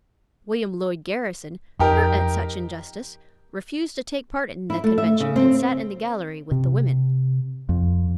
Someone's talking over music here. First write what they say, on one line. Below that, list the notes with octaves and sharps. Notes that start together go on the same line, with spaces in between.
William Lloyd Garrison, hurt at such injustice, refused to take part in the Convention, and sat in the gallery with the women.
F2 D#4 G4 A#4
E4
A3
E5
C#3
C4
C3
F2